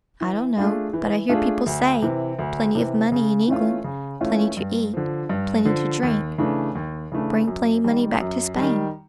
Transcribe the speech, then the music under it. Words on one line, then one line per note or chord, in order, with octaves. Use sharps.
"I don't know, but I hear people say, plenty of money in England--plenty to eat--plenty to drink; bring plenty money back to Spain."
E3
A3 D4 F4 G#4
E3
A3 D4 F4 G#4
D2
C3 E3
D2
C3 E3
C#3
E3 A3 C#4 F4
C#3
E3 A3 C#4 F4
G2
D3 F3
G2
D3 F3
D#2
C#3 E3 A3 D4
D#2
C#3 E3 A3 D4
F#2
D#3 G3
F#2
D#3 G3